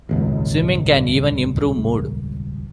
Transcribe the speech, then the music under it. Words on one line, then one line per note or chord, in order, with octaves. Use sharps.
Swimming can even improve mood.
D#1 G#1 C#2